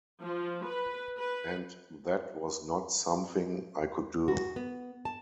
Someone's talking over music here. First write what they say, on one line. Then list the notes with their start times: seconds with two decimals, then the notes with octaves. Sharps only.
And that was not something I could do.
0.21 F3
0.66 B4
1.19 B4
4.28 F#4
4.56 B3
5.05 A5